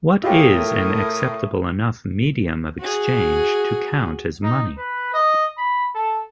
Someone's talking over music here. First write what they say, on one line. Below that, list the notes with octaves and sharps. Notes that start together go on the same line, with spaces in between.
What is an acceptable enough medium of exchange to count as money?
A2 F4 G4 G#4 A#4 C#5 D#6
F#4 G#4
D#4
B4
D#5
B5
A4